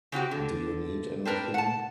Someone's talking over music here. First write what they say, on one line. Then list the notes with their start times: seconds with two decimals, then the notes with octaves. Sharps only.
Do you need anything?
0.12 C#3 C4 F#4 G4
0.31 D3
1.25 C4 D4 A#4 B4
1.54 F#5 A5